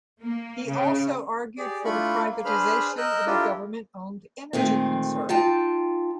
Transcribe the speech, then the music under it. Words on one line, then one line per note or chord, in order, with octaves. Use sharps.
He also argued for the privatization of the government owned energy concern.
A#3
C#3
G4 G#4 D5
A3 D4 E4 F4 B5 C#6
A#3
D4 G#4 B4 C5 B5 F6
A#4 D#5 E6 F#6 G6
D4 E4 F4 G4 A4 A#4
A#2 D#3 G#3 A3 C4
D#4 F4 G5 A5